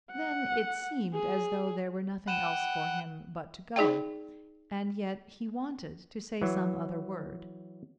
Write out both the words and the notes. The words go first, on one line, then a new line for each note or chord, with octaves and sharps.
Then it seemed as though there were nothing else for him but to go;--and yet he wanted to say some other word.
F#5
G#4
F#5 G5 B5 D#7 E7
D#4 G#4 D5 G5
E3 F#3